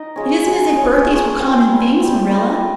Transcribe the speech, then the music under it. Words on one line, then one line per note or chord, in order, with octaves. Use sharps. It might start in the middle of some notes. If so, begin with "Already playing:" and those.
It isn't as if birthdays were common things, Marilla.
Already playing: D#4 A#4 D#5
F3 G#3 C#4
F3 G#3 C#4
F3 G#3 C#4 C#5
C#5
F3 G#3 C#4 C#5
G3 C4 F4
G3 C4 F4
G3 C4 F4
G3 C4 F4 D#5